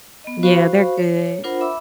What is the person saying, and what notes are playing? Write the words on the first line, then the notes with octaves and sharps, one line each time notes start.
Yeah, they're good.
B3 D#5
F#4 C5 F5 B5 C#6
C#5
D4 F4 A#4 C5 F#5 B5
E5 B5 D6 E6